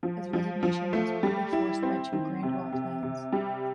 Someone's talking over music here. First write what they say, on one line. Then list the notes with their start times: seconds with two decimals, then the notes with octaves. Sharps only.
His resignation was partly forced by two grandiose plans.
0.03 F3
0.33 F3
0.63 F3
0.93 A3
1.23 G3
1.53 E4
1.83 C4
2.13 D#3
2.43 C3
2.72 C3
3.03 C3
3.32 G3